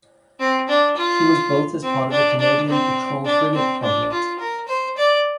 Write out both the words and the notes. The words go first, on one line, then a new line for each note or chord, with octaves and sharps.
She was built as part of the Canadian Patrol Frigate Project.
C4
D4
F4
C4
D4
D4
C4
D4
C4
D4
F4
A#4
C5
D5